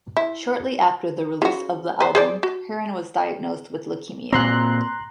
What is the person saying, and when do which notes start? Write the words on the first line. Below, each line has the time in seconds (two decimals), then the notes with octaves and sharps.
Shortly after the release of the album, Hearn was diagnosed with leukemia.
0.17 E4
1.42 C#3 F#4
2.00 B4 C5
2.15 G#4 C5 D5
2.43 F#4
4.32 A#2 C4 A#5 C6 F#6